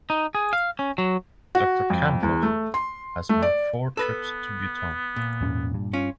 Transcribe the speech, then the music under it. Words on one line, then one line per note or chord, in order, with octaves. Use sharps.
Doctor Kamler has made four trips to Bhutan.
D#4
G#4
F5
C#4
F#3
F#4
F2
E2
A3
C6
A3
D5
B3 A4 B4
A#2
E2 G#2 C#4
G2
C#4 F4